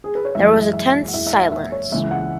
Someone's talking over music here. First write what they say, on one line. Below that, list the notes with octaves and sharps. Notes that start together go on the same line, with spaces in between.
There was a tense silence.
G#4
B4
C#5
F#2 E3 G#3 E5
E5
E5
F#5
E2 E3 G#3 E5
E5
F#5
E5
C#5
C#2 C#3 E3 G#3 E5
F#5